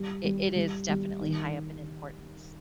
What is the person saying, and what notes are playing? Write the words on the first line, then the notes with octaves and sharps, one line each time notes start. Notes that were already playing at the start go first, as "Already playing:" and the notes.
it it is definitely high up in importance.
Already playing: G3
G3
G3
G3
D#3